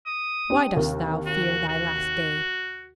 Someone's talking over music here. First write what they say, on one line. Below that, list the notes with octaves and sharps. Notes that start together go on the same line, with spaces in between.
Why dost thou fear thy last day?
D#6
C4 D4 G4
D#2 C3 A#4
F#4
F#4